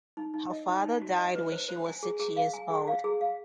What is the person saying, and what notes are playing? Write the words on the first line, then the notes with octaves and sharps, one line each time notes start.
Her father died when she was six years old.
D#4
D#4
D#5
D#4
D#4
F#4
D#5
B4
C5
C5
G#5
G#4
G#4
F5
G#5
G#4
F5
G#4
F5